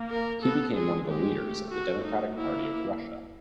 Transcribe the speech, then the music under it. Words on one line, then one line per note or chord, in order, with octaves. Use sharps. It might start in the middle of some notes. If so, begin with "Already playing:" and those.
He became one of the leaders of the Democratic Party of Russia.
Already playing: A#3
A#4
B3 A4
G#3 G#4
G#3 G4
A3
F#4
D#4
A#3 E4